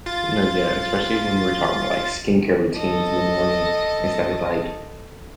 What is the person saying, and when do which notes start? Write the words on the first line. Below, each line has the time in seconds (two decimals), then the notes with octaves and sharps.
No, yeah, especially when you were talking about, like, skincare routines in the morning and stuff, it's, like,
0.06 F4 A6
2.77 A4 D#5